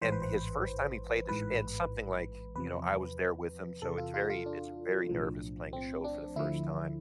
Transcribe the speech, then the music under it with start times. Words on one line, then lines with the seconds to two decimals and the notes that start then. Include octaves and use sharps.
and his first time he played the sh and something like, you know, I was there with him, so, it's very it's very nervous playing a show for the first time,
0.01 A1 G#2 E3 C5
0.12 B4
0.22 C5
1.29 A1 G#2 E3 B4
2.55 E2 C3 F3 B4
3.82 E2 C3 E3 A4
3.98 F4
4.14 F4
4.30 F4
4.46 D4
5.09 B1 A2 F3
5.73 C4
6.04 D4
6.36 D2 D3 F3 E4